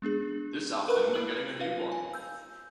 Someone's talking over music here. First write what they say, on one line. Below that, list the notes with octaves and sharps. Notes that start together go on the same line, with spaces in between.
This afternoon I'm getting a new one!
G#3 B3 D4 G#4
A#4 B4 F#5 A#5 B5 F#6
E4 F#7
F4 B4 F5
G#5
E6 G6